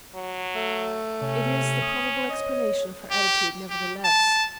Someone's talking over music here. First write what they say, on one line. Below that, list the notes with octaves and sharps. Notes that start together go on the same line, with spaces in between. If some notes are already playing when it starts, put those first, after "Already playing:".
"It is the probable explanation of her attitude, nevertheless."
F#3
A3
C3 C#4
D#6
C#5 D#5
G4
G4
A5